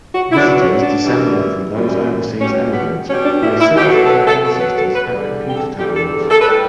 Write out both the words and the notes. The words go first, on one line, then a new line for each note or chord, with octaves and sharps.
Visitors descending from those overseas emigrants may search for their ancestors at computer terminals.
F#4
E4
B2 F#3 D4
C#4
D4
F#2 E3 G3
F#2 E3 G3
B2 G3 C#4
B3
B2 G3 C#4
D4
E4
E4
B2 F#3 G4
A4
A4
B4
A4
B2 F#3 A4
B4
A4
B4
E2 D3 G3
G4
A4
E2 D3 G3 G4
A4
A4
B4
A2 G3 A4